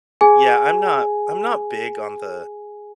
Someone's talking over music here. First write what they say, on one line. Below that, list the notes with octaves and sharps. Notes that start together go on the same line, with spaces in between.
yeah, I'm not I'm not big on the,
G#4 G#5